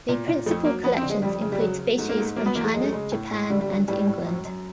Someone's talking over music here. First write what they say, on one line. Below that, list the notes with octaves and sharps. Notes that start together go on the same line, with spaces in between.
The principal collections include species from China, Japan, and England.
A#2
A#2
F2 A3
F#3 A#3
F2 B3
C4
D3
G#3
F2 G3
C#3
G3
F#3
F#3
G#2 A3
A#3
G#2 A3
F#3 A#3
B3
E2 A#3
A3
F#2 G#3
A3
C#3 G#3
A2
A2
D3 G3
G3
G2 F#3
A2 G3
A2
F#2
F#2